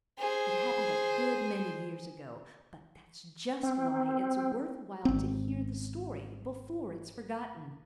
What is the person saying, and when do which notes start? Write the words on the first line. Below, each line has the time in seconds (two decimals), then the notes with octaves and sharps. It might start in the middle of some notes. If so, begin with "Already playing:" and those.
It happened a good many years ago, but that's just why it's worth while to hear the story before it is forgotten.
0.19 G#4 C5
3.63 C4
5.05 G#1 C4